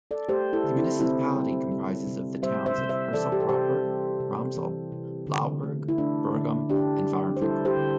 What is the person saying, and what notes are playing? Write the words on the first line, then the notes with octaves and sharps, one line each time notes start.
The municipality comprises the towns of Herselt proper, Ramsel, Blauberg, Bergom and Varenwinkel.
A4 D5
A3 G4 C5
E4 A4
D3
C4 E4
C3 C4 E4
G3
G3
C3
G3 C5 E5
C5 E5
C3
C5 E5
E3 A4 D5
G4
A4
C3 G4 C5
G3
C3
E3
C3
D3
A3
E4
A3 D4
D3
D3 D4 G4
G3
C5
G3 E4 A4
G4 C5
D3